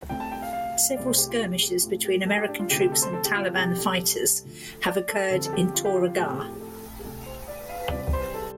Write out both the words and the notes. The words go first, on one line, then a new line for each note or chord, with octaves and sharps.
Several skirmishes between American troops and Taliban fighters have occurred in Tora Ghar.
C2 C3 A3 C4 G5
A5
G5
F5
F5
C2 C3 A3 C4 D5
C5
G4
F4
G4
G4
A2 A3 C4 F4
G4
A4
G4
D4
F4
D2 C3 A3 C4 G4
G4
A4
C5
A4
G4
F4
F4
C2 C3 G3 G4
A4
D2 D3 F3 A3
D5
A4
F2 D3 G3 C4 A4
A4
G4
F4
G4
F4
A2 F3 A3 C4 G4
A4
G4
G4
A4
G4
C2 C3 A3 A4
C5
D5
F5
C2 C3 G3 C4 D5
C5
A4